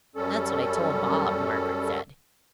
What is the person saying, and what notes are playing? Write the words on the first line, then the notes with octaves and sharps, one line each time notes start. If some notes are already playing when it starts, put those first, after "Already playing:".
"That's what I told Bob," Margaret said.
F#2 G3 C#4 A4